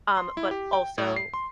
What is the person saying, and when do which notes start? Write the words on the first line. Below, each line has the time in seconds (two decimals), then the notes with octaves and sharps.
Um, but also
0.17 C6
0.37 E4
0.51 G4
0.73 G5
0.98 A2
1.16 C7
1.34 C6